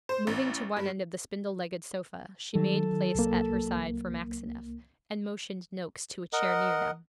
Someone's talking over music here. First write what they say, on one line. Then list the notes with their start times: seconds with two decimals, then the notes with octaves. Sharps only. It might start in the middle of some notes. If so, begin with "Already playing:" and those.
Moving to one end of the spindle-legged sofa, she made place at her side for Maxineff, and motioned Noakes to a chair near them.
0.09 C5
0.27 A1
0.77 G2
2.55 D#3 F#3 A4
3.15 C2 A#3
6.33 A#4 D#5 F#5